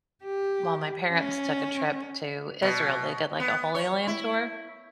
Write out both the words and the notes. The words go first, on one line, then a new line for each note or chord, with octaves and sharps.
while my parents took a trip to Israel, they did, like, a Holy Land Tour.
G4
C#4
B2
B3
C#5
E4